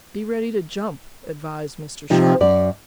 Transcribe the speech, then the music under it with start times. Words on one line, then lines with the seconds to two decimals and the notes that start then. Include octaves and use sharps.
"Be ready to jump," advised Mr. Sharp.
2.10 C3 F3 C4 D#4
2.41 F#2 D5